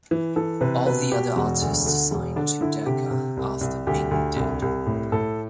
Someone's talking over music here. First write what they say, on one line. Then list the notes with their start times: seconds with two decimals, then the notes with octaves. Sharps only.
All the other artists signed to Decca after Bing did.
0.11 E3
0.36 E3 A4
0.61 C3 B4
0.86 B2 B4
1.12 B2 G4
1.36 E1 F#4
1.62 D2
1.86 D3
2.11 E1
2.36 D3 D4
2.61 D3 E4
2.86 C3 G4
3.11 C3
3.37 C2
3.61 C2
3.87 D2 G4
4.11 D2
4.36 C2
4.62 C2
4.86 A2
5.12 A2 A4